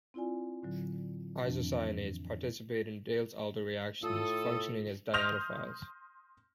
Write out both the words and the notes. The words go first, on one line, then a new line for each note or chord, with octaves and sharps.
Isocyanates participate in Diels-Alder reactions, functioning as dienophiles.
C4 E4 F4 D5 G#5
A2 D3 F#3
F2 A2 E3 F3 C4 D4
A2 F4 A4 D#6
C6 D#6 F6 G6 A#6 F7